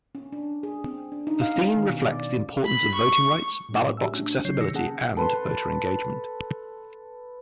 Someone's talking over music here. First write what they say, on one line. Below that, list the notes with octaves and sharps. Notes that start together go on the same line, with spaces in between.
The theme reflects the importance of voting rights, ballot box accessibility and voter engagement.
C#4
D4
G#4
C4
D4
D#4
F5
C#4
D#3
B2
D5
B5
C#6
A2 G3 C#4
F#4 G4 E5 G#5 E6
A3 C#4 D4
G1 D3 F#3 C#5 G6 C7
C3 D#3 E6 A#6 C#7
A#3 C#4 G#4 F#5 A5
A4 B4 C6